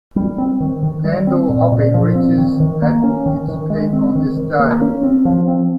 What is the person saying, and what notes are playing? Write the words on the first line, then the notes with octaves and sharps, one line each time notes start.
Pandal hopping reaches at its peak on this day.
G3
C4
D#3
D#3
G3
C4
A#2
A#2
F3
C4
D#3
D#3
A#3
C#4
D#3
D#3
G#3
C4
D#3
D#3
A#3
C#4
C4
F3
C4